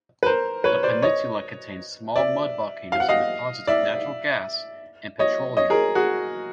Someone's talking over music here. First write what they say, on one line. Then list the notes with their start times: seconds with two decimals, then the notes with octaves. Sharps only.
The peninsula contains small mud volcanoes and deposits of natural gas and petroleum.
0.23 B4
0.26 A#4 C5
0.64 B4 C#5
0.83 C5 D5
1.02 C#5 D#5
2.16 D5 E5
2.92 F5
3.00 F#5
3.09 D#5 F5
3.67 D5 E5
5.19 C#5 D#5
5.57 C#5 D#5
5.70 G#4 A#4
5.95 F#4 G#4